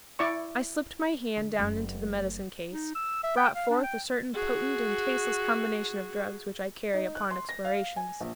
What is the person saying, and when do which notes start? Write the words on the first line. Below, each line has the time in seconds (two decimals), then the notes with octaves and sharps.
I slipped my hand down into the medicine-case, brought forth a certain potent and tasteless combination of drugs which I carry upon explorations.
0.19 E4 D5 C#6
1.37 D3
1.59 F#1 A3
2.72 D#4
2.95 E6
3.24 E5
3.37 G5
3.55 F5
3.70 D4
3.84 G5
4.34 F#4 G#4
6.94 D#4
7.15 F#6
7.31 C6
7.49 A#6
7.65 F5
7.96 G#5
8.21 A#1